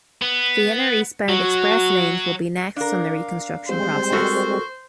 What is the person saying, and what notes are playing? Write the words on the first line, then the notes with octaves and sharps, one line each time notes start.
The inner eastbound express lanes will be next on the reconstruction process.
B3
F#3 F#4
D4 A#4 F5
G3 G#3 C4 C5
F#4 A4 A#4 C#6